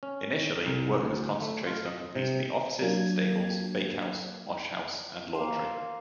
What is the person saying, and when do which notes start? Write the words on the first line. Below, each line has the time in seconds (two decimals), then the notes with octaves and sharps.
Initially work was concentrated on completing the offices, stables, bakehouse, wash-house and laundry.
0.03 C#4
0.66 C2
1.01 D2
1.42 A3
1.67 F4
1.85 D#5
2.15 C3
2.82 F#3 A#3 D4 G#6
5.35 A#3 C5